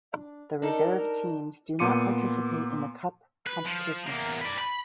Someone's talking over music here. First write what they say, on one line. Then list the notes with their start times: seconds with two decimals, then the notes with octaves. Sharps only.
The reserve teams do not participate in the cup competition.
0.15 D4
0.62 D4 D#4 A4 A#4
1.79 A#2 B3 C6 D6 C#7 D#7
3.47 B4
3.65 F3
4.07 E2 A#3
4.41 B4 D5
4.59 B5